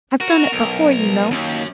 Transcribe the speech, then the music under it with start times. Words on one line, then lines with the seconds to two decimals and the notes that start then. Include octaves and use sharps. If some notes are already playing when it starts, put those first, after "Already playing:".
I've done it before, you know.
0.20 F#4 A#4
0.53 B1
1.31 D#2 F#3 C#4